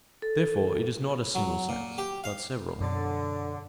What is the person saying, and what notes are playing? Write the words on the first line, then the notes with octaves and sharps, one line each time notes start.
Therefore it is not a single sense but several.
A4
F#3
A#2
G4
F5
F#2 B2 D3 A6